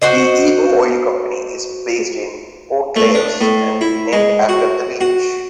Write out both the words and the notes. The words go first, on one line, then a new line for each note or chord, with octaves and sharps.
The Emo Oil Company is based in Portlaoise and named after the village.
F#4 C5 D#5
A3
D4
A2
E4
G#3
F#4
F#4